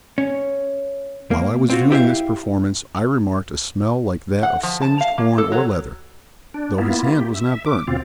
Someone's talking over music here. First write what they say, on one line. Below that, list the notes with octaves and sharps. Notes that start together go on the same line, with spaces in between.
While I was viewing this performance, I remarked a smell like that of singed horn or leather, though his hand was not burnt.
C#4
A#3
C4 F4 F#4
E4 G4 E5 F5
F#5
F3
A5
F5
A#3
A4
F#3
D4
A#3 B3 E4 F4
G4
E5
D6
D2 B2 C4 F4